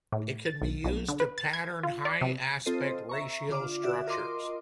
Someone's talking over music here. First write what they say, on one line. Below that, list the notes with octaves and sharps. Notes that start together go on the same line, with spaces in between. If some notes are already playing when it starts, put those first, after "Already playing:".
It can be used to pattern high aspect ratio structures.
A2
A6
B1
B1
D3
B4
A6
G#6
F4
D5
C3
C4 F4 A4 C5 D#5
E5 A#5 C#6
D3 F4 D6
F#4 D5 E5
F4 A#4 D#5 C6 D6